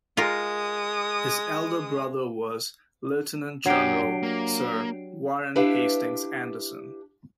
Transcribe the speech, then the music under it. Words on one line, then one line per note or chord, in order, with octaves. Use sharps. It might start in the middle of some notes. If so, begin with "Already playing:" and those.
His elder brother was Lieutenant General Sir Warren Hastings Anderson.
G#3 F4 A#4 D#6
F#2 F#3 D4 G4 C7 D7
A#3
D4 E4 G4 B4 F5